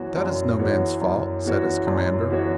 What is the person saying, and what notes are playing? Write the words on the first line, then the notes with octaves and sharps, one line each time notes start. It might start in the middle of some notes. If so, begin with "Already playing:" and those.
"That is no man's fault," said his commander.
Already playing: F#2 E3 B3 F#4 C#5
F#2
E3 B3 F#4 C#5
F#2
E3 B3 F#4 C#5
F#2
E3 B3 F#4 C#5